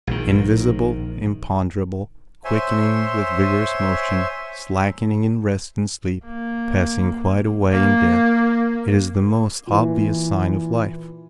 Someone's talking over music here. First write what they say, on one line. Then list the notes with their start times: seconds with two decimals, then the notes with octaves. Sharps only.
Invisible, imponderable, quickening with vigorous motion, slackening in rest and sleep, passing quite away in death, it is the most obvious sign of life.
0.07 A#1 D#3
2.45 C5 C#5 E5 G#5 C6
6.25 A#3
7.71 A#3
9.67 A#2 E3